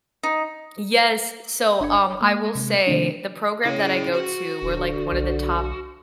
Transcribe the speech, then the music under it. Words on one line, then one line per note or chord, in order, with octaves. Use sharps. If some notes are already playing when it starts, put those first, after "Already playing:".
Yes, so, um, I will say the program that I go to, we're, like, one of the top
D#4
G1 D4 A#5 B5 G#6 C#7
C#5
G#3 A#3
C3 G#3 A#3
C3 D#3 F3 A3 C4 D4
C#3 E4 C#5
F#4
D#1 D3
B1